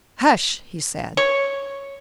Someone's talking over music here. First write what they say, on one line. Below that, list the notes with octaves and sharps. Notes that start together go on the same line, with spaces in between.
"Hush!" he said.
C#5